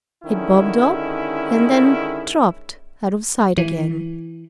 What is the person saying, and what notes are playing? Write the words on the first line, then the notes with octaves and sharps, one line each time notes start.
It bobbed up and then dropped out of sight again.
D3 D#3 G#3 C#4 E4
E3